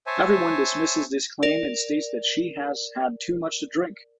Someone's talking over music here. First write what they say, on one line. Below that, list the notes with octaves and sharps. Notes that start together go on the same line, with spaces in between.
Everyone dismisses this claim and states that she has had too much to drink.
C5 C#5 E5 G#5 A5
A#4 D5